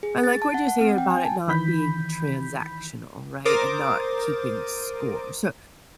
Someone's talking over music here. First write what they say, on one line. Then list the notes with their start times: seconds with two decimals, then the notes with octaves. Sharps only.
I like what you're saying about it not being transactional, right, and not keeping score. So,
0.03 G#4
0.24 A6
0.42 A5
0.54 F#5
0.68 F#5
0.81 C4
0.98 G5
1.10 G#5
1.25 A5
1.48 D#3 E3 B5 G6 B6
3.45 A#4 C5 D6 D#6 A6